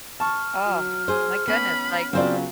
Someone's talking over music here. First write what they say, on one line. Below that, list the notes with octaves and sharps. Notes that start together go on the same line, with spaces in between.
Oh, my goodness, like
A5 C#6 F6
F#3
G#4 C5
B3 C#4 B5
C#3 F#3 B3 C4 F4 C5 D5